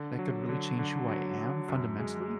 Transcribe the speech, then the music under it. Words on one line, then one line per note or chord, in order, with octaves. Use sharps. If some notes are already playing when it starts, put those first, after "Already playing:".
that could really change who I am fundamentally.
Already playing: D3
F#3
D3
D3
F#3
F#3
F#2
G#3